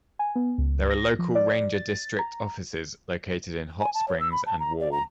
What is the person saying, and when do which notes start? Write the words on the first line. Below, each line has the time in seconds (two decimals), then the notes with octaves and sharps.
There are local ranger district offices located in Hot Springs and Wall.
0.19 G#5
0.36 B3
0.58 C#2
0.90 A#6
1.19 F3
1.35 D5
1.73 A6
2.19 A#5
3.81 G#5
3.94 A5
4.08 C#5
4.20 E6
4.32 B5
4.46 A5
4.60 A#5
4.80 D5
4.92 A#5